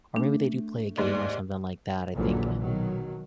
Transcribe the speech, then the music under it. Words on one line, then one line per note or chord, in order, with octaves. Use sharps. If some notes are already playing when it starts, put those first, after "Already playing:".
or maybe they do play a game, or something like that. I think
A3 D4
D#2 G#2 D5
A#1 D#2 A#2 D3 E3 F#3
B2 D#3 F#3